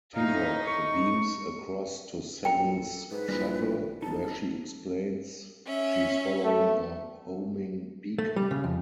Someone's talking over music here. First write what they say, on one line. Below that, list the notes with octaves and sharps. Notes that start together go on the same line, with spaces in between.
Tuvok beams across to Seven's shuttle, where she explains she's following a homing beacon.
A2 D#4 F5
C#6
A#1 A4 G5 A#5
G#2 B4
A#1 G3 G#3 E4
F#1 D#4 A5
C#4 E5
A3
A3
G3
C#3
F2